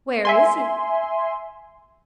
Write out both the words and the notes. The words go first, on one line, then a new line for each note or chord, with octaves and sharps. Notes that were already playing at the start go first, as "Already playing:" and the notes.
"Where is he?"
E5 G#5 C6